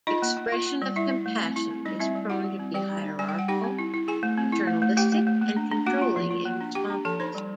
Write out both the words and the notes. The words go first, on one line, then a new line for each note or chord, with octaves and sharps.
Expression of compassion is prone to be hierarchical, paternalistic and controlling in responses.
D#4 F4 D#5
A#3
A#3
F4
A#3
G3
E4 E5
E4
A3
C4
E4
C4
G3 D#4 D#5
C4 E4 E5
G3
E4 F#4 F#5
G3
C4
G3 G4 G5
D#4
D#4
G3 G#5
G5
G3 F#5
D#4 G4 G5
C4
E4
E4
E4 G#4 G#5
A3
C4
E4
A3
A3
A3 G4 G5
A3
A3
A#3
D4
D4
A#3 F#4 F#5
F4
F3
F4
A#3
D4
D4 G4 G5
D4
F3 A4 A5
D#4 C5 C6
G3